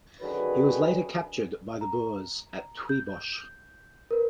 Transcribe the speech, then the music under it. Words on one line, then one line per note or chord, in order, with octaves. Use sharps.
He was later captured by the Boers at Tweebosch.
D3 D#3 F#3 C#4 G#4 B4
A#5
G6
A#4 B4